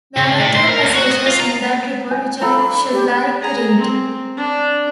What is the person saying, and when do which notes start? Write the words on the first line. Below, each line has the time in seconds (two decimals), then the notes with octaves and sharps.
There are two passages in that report which I should like to read.
0.17 C#3
0.39 A2
0.55 C5
0.67 A#4
0.83 D2
0.95 F#4
1.11 D#5
1.26 F4
1.40 A#5
2.11 G#5
2.41 A4 F5 A#5 B5
2.58 D4
2.93 G4
3.42 G#4 A#5
3.77 C4
4.37 D4